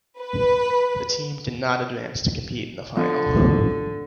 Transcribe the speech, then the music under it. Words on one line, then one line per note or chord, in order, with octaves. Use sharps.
The team did not advance to compete in the final.
B4
D3 F3